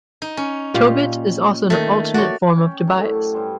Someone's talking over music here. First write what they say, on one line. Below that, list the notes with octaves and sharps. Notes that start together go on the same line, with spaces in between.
Tobit is also an alternate form of Tobias.
D#4
C#4
A#2 F4 G4
D#3 A3
F#4 C#5 D5
C#4 G5
F#2 A2 D3
G4 A5
G2 G3 C5 G#5